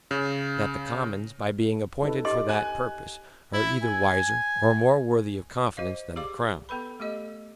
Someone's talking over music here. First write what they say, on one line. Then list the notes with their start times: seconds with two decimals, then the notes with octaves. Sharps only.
That the commons, by being appointed for that purpose, are either wiser or more worthy of confidence than the crown.
0.11 C#3
2.03 D#4 A4 B4
2.25 G4 D#5 C6 D6
2.49 G#5 F#6
3.53 E4
3.83 G#5
5.77 F#4 C5 D#5 F5
6.16 G4 G#4 D5 F5 D6
6.69 B3 A4 B4 B5
7.00 A3 G4 A4 D#5